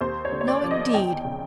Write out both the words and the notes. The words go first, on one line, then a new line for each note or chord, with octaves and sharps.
No, indeed!
D#2 C5
C#5
D3
C#5
D5
F3
D#5
E2 G5
C#3